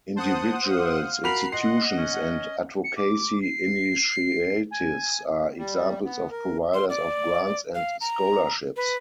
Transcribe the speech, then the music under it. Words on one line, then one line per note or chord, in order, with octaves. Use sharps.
Individuals, institutions, and advocacy initiatives are examples of providers of grants and scholarships.
C5 F#5 A5 D#6
F5
F#4 A#4 B5 C7 F7
D#5 F#5 C6 C7
C#4
C#7
D6
C7
G#5
G3
B3
A#4
C6
D5
F5
A#5
B4